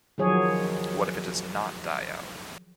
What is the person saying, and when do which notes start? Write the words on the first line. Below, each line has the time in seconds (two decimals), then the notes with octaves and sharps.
What if it does not die out?
0.18 D#3 F3 F#3 G#4 C#5